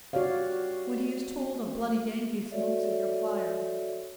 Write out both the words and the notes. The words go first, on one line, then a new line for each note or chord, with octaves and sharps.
When he is told a bloody Yengee smokes at your fire?
F#4 G4 C#5 D5 F5
F#4 A4 C#5 D5 E5